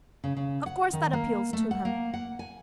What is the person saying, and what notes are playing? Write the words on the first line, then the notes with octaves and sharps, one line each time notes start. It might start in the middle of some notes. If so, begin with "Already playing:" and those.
"Of course that appeals to him."
C#3
C#3
F#5
D#3
A#3
A3
F#5
A#3
F#5
G#5